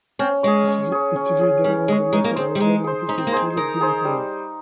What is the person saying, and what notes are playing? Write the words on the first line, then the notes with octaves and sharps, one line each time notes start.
Its leader was the local Bulgarian teacher Filip Dimitrov.
C4 C#4
G#3 G#4 C#5
C#4
G#4 C#5
C#4
G#4 C#5
G3 C#4
G#3 G#4 C#5
G#3 D#4
A#3
C4 G#4 C5
G3
G#3 D#4
G#4 C5
C#4 D#4
C4
A#3
C4 G#4 C5
D#4 A#4
G#4 C5
G3